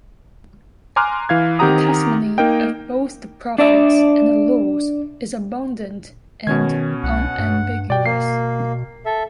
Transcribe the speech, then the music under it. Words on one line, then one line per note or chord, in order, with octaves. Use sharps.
The testimony of both the prophets and the laws is abundant and unambiguous.
G#5 A#5 C6 D6 F6 F#6
E3 F5 G#6
D#3 C4 G4 F#5 A#5 D#6
A#3 D#4 A#4 D#5 G5
D4 D5 E5
B2 D#3 C#4 G#6
C2 F#5
G2
B2 D5 G5
A#3 C7
A4 E5